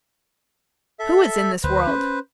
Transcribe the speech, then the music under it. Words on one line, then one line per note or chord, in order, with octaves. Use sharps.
"Who is in this world?"
A4 E5
D2 B4 C5
C#4